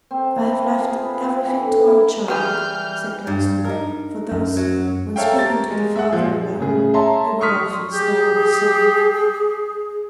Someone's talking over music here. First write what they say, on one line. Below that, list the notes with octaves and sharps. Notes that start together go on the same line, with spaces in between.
'I have left everything to our child,' said Glastonbury; for thus, when speaking to the father alone, he would often style the son.
C4
A5
E4
F4
G#4
C5
B4
C4
E3
D3
E4
E3 G3 B3 G4 G#4 F6 G6
G2
D#4 A#4
F#2
F#3
A4 A#4 C#5 E5 F5 G5
G4 A#4 A6
G#3
E5 F#5
A#2 F3 F5
G#3
A2 C#3 G#4
C#5 E5 A5 A#5 C6
C6 C#6 D#6 F6 B6
G4 G#4